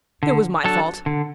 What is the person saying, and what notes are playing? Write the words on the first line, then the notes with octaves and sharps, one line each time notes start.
It was my fault.
D3
F#3 D4 A4
D3